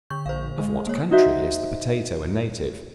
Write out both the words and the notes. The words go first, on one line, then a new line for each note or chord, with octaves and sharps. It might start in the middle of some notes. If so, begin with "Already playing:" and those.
Of what country is the Potato a native?
D3 C#6 G6
A#1 C5 F5
G#3
A#3 C#5
D#4 F#4 C5 E5